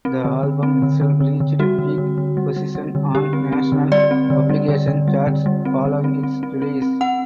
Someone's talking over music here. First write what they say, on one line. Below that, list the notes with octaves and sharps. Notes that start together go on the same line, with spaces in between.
The album itself reached peak positions on national publication charts following its release.
C4
D3
D3
C4
D3
D3
D3
D3
G3 F#4
D3
D3
D3
G3
G3
G3
D3
D3 G4
C4
C4
D3
G3 D5
C4
D3
G3
D3
D3
G3
D3
G3
C4
D3
C4
C4
C4
C4
C4
C4 F#5